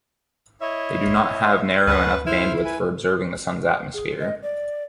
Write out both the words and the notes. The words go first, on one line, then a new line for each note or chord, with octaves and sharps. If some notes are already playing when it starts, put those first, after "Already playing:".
They do not have narrow enough bandwidth for observing the sun's atmosphere.
E4 C#5 D#5 E5
D2 C#4 B4 F#5 A5
E4 C5 E5 F6
B4 G#5
G#4
D#5
D5